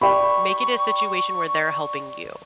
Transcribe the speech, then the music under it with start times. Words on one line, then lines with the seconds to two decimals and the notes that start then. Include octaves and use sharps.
make it a situation where they're helping you.
0.01 D5 G5 B5 C#6